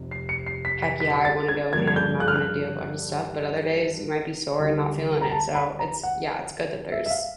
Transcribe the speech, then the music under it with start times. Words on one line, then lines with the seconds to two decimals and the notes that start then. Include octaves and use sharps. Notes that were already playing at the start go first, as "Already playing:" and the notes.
"Heck yeah, I want to go ham, I wanna do a bunch of stuff," but other days you might be sore and not feeling it, so it's, yeah, it's good that there's
Already playing: F1 C3
0.11 C7
0.29 C#7
0.47 C7
0.65 B6
0.82 B6
1.00 B6
1.25 A6
1.48 G#6
1.73 G2 D3 F3 A#3 D4 G#6
1.87 G#6
1.96 G6
2.20 F#6
2.28 F6
2.36 F#6
4.59 D2 D3 G3
5.21 A#5
5.31 A5
5.55 B5
5.79 A#5
6.03 F#5
6.92 E5
7.06 E5
7.11 F5